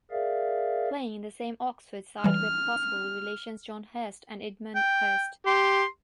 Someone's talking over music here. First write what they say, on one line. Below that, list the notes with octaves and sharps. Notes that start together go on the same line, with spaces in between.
Playing in the same Oxford side were possible relations John Hurst and Edmund Hurst.
G#4 A#4 D5 E5 F5
E3 G3 F6
G5
G4 C6